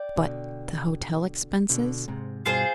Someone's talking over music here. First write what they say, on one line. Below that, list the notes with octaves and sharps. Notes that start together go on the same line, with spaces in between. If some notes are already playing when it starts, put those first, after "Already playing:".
"But the hotel expenses?"
Already playing: D5 G5
B2 D3
B2 D3
G#2 C3
G2 B2 F4 G#4 C5